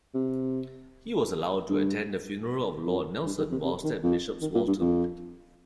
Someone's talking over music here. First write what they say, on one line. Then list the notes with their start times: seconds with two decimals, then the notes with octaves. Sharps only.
He was allowed to attend the funeral of Lord Nelson whilst at Bishop's Waltham.
0.14 C3
1.70 G2
2.86 F2
3.26 G2
3.38 D#3
3.51 C3
3.64 C3
3.84 D#3
4.03 F2
4.42 D#3
4.55 A#2
4.67 G2
4.80 F2